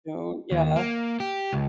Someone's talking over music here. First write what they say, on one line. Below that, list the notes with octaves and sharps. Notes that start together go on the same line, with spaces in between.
soon, yeah.
D#2
A#3
G4
C#2